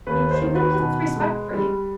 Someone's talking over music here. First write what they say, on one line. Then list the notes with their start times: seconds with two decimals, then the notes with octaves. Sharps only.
she could lose respect for you.
0.07 D#2 B4
0.31 C5
0.42 D#3
0.55 B4
0.79 B2
1.16 G#3
1.54 G3